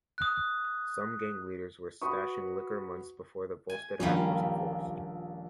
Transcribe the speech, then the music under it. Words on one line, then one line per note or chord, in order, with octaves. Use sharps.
Some gang leaders were stashing liquor months before the Volstead Act was enforced.
D#6 F#6
F#4 B4 B5 C#6 D#6
G#5
D#1 A#1 G3 A#3 C#4